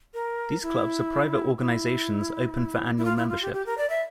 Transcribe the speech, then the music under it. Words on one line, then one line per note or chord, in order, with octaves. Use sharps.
These clubs are private organisations open for annual membership.
A#4
E4
E4
E4
F4
E4
F4
G4
G4
A#4
D5
E5